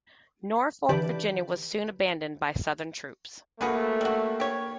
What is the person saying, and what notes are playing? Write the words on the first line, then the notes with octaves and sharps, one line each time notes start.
Norfolk, Virginia was soon abandoned by Southern troops.
D3 E3 G4 B4 D5
A3 A#3 F#4 G#4 B4 B5
G3 F#4
G4 C#5